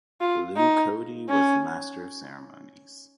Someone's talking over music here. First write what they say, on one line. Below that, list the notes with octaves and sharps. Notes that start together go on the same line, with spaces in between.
Lew Cody was the master of ceremonies.
F4
D#4
C#4